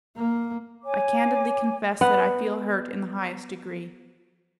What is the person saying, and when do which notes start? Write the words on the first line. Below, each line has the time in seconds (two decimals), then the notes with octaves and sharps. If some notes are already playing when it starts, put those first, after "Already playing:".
I candidly confess that I feel hurt in the highest degree.
0.16 A#3
0.83 C#5 G#5 D6
2.01 B3 F#5